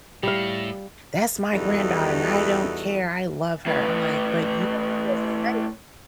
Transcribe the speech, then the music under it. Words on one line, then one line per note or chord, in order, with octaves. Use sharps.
"That's my granddaughter, and I don't care, I love her." I'm like, "But you don't feel safe."
A2 G3 F5
E2 G3 D#4 F#4 A4
A2 B4